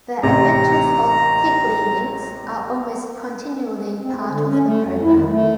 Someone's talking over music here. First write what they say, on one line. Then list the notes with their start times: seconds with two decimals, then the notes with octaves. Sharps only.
The Adventures of Piggley Winks, are almost continually part of the programme.
0.23 A1 C3 A#5
4.02 C4
4.16 A3
4.28 D3
4.45 C#4
4.63 A3
4.85 F2
5.02 E4
5.16 D#3
5.29 A3